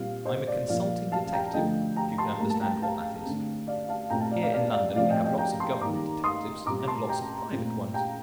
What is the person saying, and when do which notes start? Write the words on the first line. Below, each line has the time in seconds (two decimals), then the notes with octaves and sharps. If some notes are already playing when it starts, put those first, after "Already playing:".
I'm a consulting detective, if you can understand what that is. Here in London we have lots of Government detectives and lots of private ones.
Already playing: A#2 G3 C4 F5
0.25 C5 D#5
0.47 D5
0.68 A#2 F3 A#3 D5 F5
1.12 F5 A5
1.32 G5 A#5
1.54 D3 F3 A3 D#5 G5
1.96 G5 A#5
2.18 A5 C6
2.39 A2 G3 A#3 A#5
2.50 A5
2.61 G5 A#5
2.82 F5 A5
3.25 D3 A3 C4
3.67 D5 F5
3.89 F5 A5
4.10 A#2 A3 C4 G5 A#5
4.20 F5 A5
4.31 D5 F5
4.42 D5 F5
4.53 D5 F5
4.74 D5 F5
4.96 A2 F3 C4 D5 F5
5.09 D#5 G5
5.24 D#5 G5
5.38 G5 A#5
5.59 A5 C6
5.80 D#3 G3 A#3 A#5 D6
6.24 C6 D#6
6.66 A#2 G3 C4 A#5 D6
6.88 A5 C6
7.09 G5 A#5
7.52 A#2 A3 C4
7.94 G5 A#5